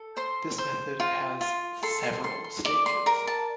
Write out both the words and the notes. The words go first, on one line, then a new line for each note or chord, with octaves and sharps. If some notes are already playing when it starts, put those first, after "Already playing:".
This method has several stages.
Already playing: A4
C5 C6
C5
F4
F4
A4 C6
C6
A4 C6
C6
D5 D6
C6
A#4 A#5
A5